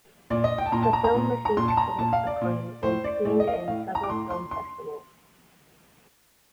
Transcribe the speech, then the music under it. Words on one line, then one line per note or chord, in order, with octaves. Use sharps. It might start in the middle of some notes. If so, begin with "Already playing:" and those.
The film received critics acclaim and screened in several film festivals.
A#2 D5
D#5
G5
A5
A#2 A#5
A5
A#5
A#5
A#2
A#5
A#2 C6
A5
A#5
A#2 A5
F5
D5
A#2
A2 C5
D5
A2 D5
D#5
F5
D#5
A2 F5
A#5
D6
A2 C6
C6
C6